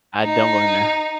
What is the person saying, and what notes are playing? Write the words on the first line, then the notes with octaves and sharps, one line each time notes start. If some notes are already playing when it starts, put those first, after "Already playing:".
I don't wanna.
D#4